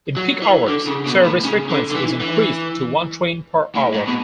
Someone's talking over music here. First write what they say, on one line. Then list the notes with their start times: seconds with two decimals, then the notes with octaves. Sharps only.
In peak hours, service frequency is increased to one train per hour.
0.17 F#3
0.42 E3
0.68 D3
0.88 C#3
1.06 B2
1.25 A2
1.45 C#3
1.70 D3
1.92 D3
1.96 E3
2.21 E3
3.76 A2
3.94 G#2
4.07 B2